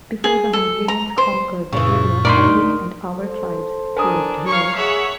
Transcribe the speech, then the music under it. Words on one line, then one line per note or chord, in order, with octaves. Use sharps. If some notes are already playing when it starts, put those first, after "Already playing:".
Before the Hungarians conquered the area, Slavic and Avar tribes lived here.
G#4
A4
A#5
C5
F#2 A#2 C#3 E3 C#6
D2 D#4 A#4 D5 B5 C6
A4 C5
D4 A#4 G#5 D#6
C#5 F5 C#6
G#4 C#5 E5 F#5